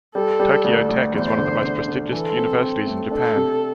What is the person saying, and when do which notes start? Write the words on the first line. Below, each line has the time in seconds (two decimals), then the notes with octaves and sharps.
Tokyo Tech is one of the most prestigious universities in Japan.
0.15 G3 A4
0.39 G3
0.64 D2
0.89 D2
1.14 E2 C5
1.38 D3
1.63 D3
1.88 D3
2.12 E3 A4
2.38 C4
2.62 C4
2.87 A3
3.11 D4 A4
3.36 C3